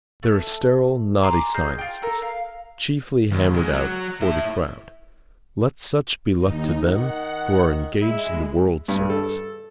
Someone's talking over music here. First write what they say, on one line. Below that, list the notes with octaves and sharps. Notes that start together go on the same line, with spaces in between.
There are sterile knotty sciences, chiefly hammered out for the crowd; let such be left to them who are engaged in the world's service.
A3
G#5 A#5 C6 D6
G#4 D#5 F6 G6
F4 G5
A4 A#4
F5
D#2
C#2 G#3
F#3
A2 E4
D#2 D#4
D#3 F#5
G#3 E4
G2
A4